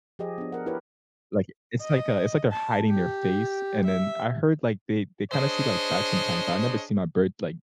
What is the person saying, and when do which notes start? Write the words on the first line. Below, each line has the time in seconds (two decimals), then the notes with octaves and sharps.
Like it's like a it's like they're hiding their face, and then I heard, like, they they kinda sleep like bats, sometimes, but I never see my bird, like,
0.19 F3 G4 G#4 D#5
0.38 B3 D4
0.52 A#4 F#5
0.66 E4 G4 A#4 B4 C#5
1.81 D#5
2.52 A5
2.90 G4
3.86 E5
5.32 D4 G#4 C5 C#5 D#5